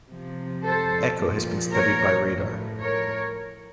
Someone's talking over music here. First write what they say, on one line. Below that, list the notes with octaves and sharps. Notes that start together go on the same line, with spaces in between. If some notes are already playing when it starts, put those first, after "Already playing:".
Echo has been studied by radar.
C3 F3
A4 C5
A#2 F3
A#4 C#5
A2 F3
A#4 C#5